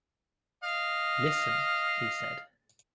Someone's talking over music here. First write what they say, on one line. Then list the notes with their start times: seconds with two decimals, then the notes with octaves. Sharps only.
"Listen," he said.
0.64 D#5 F5